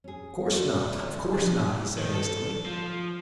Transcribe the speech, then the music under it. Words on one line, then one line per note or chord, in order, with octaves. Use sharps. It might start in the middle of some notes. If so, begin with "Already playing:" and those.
"Of course not--of course not!" he said hastily.
C#4 G#4
A3 F4 F#4 C#5 D5
F3 D4
D#3
A4
F3